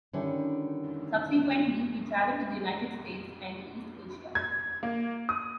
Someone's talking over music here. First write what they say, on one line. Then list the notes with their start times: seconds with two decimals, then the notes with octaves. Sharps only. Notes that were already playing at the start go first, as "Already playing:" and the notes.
Subsequently, he traveled to the United States and East Asia.
0.13 D3 D#3 G3 C#4 D4 E4
4.35 G#6
4.83 A#3
5.29 D#6